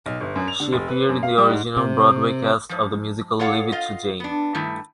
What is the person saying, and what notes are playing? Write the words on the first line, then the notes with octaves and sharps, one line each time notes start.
She appeared in the original Broadway cast of the musical "Leave It to Jane".
B1
G1
F#2
F7
D3
F1
B4
F#2
F5
G3
G#2
C3
G#2 F3
F4 A4 C#5 F5 F#5
F4 D#5 F5
B3 D4
G2 D#3 A3 E4